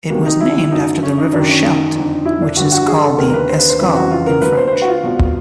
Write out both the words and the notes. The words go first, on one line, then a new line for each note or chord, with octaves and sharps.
It was named after the river Scheldt, which is called the Escaut in French.
D2 C3 D#3 A#3
D#4
E4
F#2 D3 D#4
C#4
D#4
F#2 D#3 D4
C#4
D#4
F2 D3
E4
D4
G2 D3 F#4
F#4
G#4
A4
D#2 D3 A#4
A#4
B4
C5
B4
C5
F2 C#3 E3 B4
F#4
F4
A#4
D2 D3 B4
C5
C5
B4
F#4
F4
C2 B2